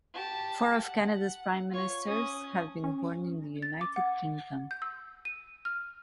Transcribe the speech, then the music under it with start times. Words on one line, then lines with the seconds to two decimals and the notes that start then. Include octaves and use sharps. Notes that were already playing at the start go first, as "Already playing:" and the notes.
Four of Canada's Prime Ministers have been born in the United Kingdom.
0.14 G4 A5
0.82 F#5
1.70 F4 C#5
2.05 C#4 D#6
2.84 C#4
3.62 A6
3.81 D6
3.96 F#5
4.71 G6
4.82 E6
5.25 D#7
5.65 F6